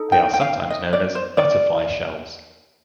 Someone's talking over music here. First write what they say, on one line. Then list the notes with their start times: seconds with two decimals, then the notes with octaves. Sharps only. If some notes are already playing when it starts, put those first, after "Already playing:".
They are sometimes known as "butterfly shells".
Already playing: D#4 A4
0.12 G5
0.34 G5
0.41 F5
0.70 D#5
0.93 D5
1.15 C5
1.37 D5